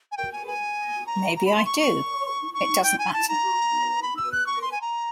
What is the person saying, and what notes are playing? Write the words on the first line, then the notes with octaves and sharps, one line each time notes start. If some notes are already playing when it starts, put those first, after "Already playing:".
Maybe I do; it doesn't matter.
G#5
G5
G#5
G#5
A#5
A#5
B5
C6
C#6
C#6
C#6
G5
G#5
A5
A#5
B5
E6
F#6
C#6
C6
G#5
A#5